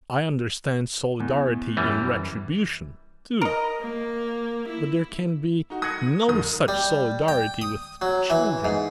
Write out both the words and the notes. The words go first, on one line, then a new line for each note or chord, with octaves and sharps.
I understand solidarity in retribution, too; but there can be no such solidarity with children.
E2
F#2 E3 G3
A#4 D#5
A#3
E4
D#4 F#4
D#6 F#6 G#6 A#6 C#7
F1 D#3 D#4 D#6
G3
G5
D#6
F#3
E3
G#2